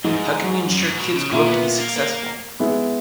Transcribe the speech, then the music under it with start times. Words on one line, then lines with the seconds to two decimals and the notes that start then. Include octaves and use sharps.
How can we ensure our kids grow up to be successful?
0.04 G#2 E3 G#3 D#4 G#4
0.67 F#2
0.83 G#2
1.00 B2
1.16 C#3
1.31 A#2 D#3 A#3 E4
1.47 B3
1.79 A#3
1.96 A#3
2.59 G#3 B3 E4 G#4